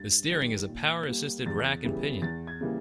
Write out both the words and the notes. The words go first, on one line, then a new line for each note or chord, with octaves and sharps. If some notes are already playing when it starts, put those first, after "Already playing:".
The steering is a power-assisted rack-and-pinion.
Already playing: G2 A6
D#3 G3
A#2
G3 A#3
E2 A6
C#3 E3 G3 B3
E2 A6
G#6
C#3 E3 G3 A#3